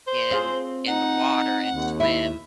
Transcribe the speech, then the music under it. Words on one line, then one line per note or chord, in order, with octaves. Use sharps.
in in the water and swim.
C5
C4 F4 G#4
D#4 F#5
D#2
E4 E5